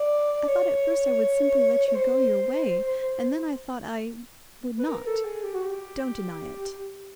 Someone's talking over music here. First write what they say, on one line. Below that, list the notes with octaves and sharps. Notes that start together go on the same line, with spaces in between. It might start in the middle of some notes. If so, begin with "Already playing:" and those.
I thought at first I would simply let you go your way, and then I thought I--would not. Don't deny it.
Already playing: D5
C#5
C#5
C5
B4
A#4
A4
G#4
G4
F#4
G4